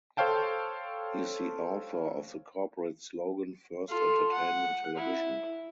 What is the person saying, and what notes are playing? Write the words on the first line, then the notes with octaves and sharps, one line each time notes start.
He is the author of the corporate slogan "First Entertainment Television".
A4 C5 C#5 F5 G5 A5
F4 A4
F#5
E4